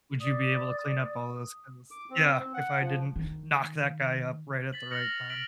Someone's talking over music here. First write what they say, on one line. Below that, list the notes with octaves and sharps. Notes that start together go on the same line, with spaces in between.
"Would you be able to clean up all those kills?" Yeah, if I didn't knock that guy up, right at the right time?
D5 D#6
D6
C4
C4
F#5
F3
D#3
A6 B6 F#7
F6 A6 A#6 C#7 F7 F#7
F7
F6 B6 D7 F7 F#7